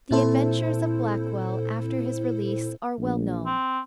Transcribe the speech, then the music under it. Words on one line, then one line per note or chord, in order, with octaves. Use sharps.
The adventures of Blackwell after his release are well known.
A#2 C4 E4 A4 C5
A#1
C4